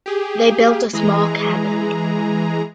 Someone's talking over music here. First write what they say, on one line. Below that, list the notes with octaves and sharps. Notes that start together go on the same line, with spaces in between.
They built a small cabin.
G4 G#4
E3 G#3 G#4 A#5